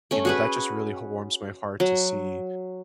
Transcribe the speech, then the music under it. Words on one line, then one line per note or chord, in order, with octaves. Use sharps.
you know, that just really h warms my heart to see
A3 C#4
F#4 G#4 B4
F#3